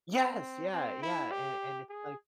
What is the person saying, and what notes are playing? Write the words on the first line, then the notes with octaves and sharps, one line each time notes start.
Yes! Yeah, yeah and and it's like
C4
C4
E4
G4
G#4